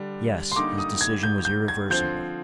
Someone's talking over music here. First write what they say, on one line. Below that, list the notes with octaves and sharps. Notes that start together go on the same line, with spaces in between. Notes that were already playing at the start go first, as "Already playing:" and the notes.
Yes: his decision was irreversible.
Already playing: D3 G3 D4
C6
D3 G3 A#3 D#4 D6
D#6
G#6
G6
G6
G#6
D3 F3 C4 G6